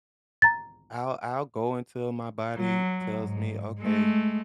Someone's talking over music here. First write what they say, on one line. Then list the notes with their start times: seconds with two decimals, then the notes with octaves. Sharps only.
I'll I'll go until my body tells me, "Okay,
0.42 A#5 A6
2.57 F#3
3.20 G#2
3.80 G#3 A3